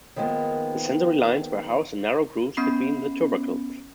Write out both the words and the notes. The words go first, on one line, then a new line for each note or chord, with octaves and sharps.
The sensory-lines were housed in narrow grooves between the tubercles.
D#3 F3 G#3 A#3 B3
B3 C#4 B5 C7